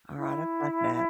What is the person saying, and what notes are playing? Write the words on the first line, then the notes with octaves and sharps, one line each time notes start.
Alright, I've got that.
E4